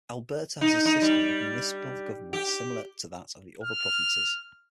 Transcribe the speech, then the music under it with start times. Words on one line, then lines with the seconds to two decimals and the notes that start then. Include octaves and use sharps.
Alberta has a system of municipal government similar to that of the other provinces.
0.61 D#4
0.85 D#4
1.02 G3
2.33 G4
3.64 F6